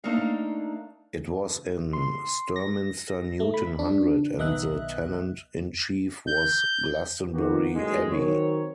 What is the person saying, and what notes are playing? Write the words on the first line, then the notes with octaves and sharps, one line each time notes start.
It was in Sturminster Newton Hundred and the tenant-in-chief was Glastonbury Abbey.
A3 A#3 D4 D#4 F5
C6
A#6
A3
B5
D4
B1 D#3 B3 D#5 E5 F#6
G6
D#3 A#3 B3 D#4 F#4 G4
A1 D#2 A#2 F#3 G#3
D#3 F#3 C4 A#4 C#5